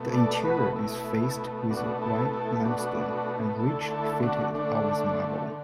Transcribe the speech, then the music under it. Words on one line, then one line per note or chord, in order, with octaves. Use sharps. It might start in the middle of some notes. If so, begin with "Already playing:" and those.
The interior is faced with white limestone, and richly fitted out with marble.
Already playing: B2 A3
A4 D5
F#4 B4
B2 A3 E4
B2 A3 D4 F#4
E4 A4
E4 A4
B2 A3 D4 F#4
D3 A3 E4 A4
E4 A4
D4 F#4
D3 A3 D4
D3